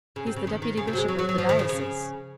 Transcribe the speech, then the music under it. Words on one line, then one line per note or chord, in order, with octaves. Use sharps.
"He's the Deputy Bishop of the diocese."
C#3
C3
C#3
D#3
D#3
C#3
C3
F#3
G#3
F#3
F#3
F#3
F3
D#3
C#3
C#3